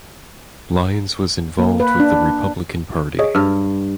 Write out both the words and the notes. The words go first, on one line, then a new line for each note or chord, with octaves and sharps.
Lyons was involved with the Republican Party.
A#3
B4
D4
G#4 C#5 D#5
G2 E6 F6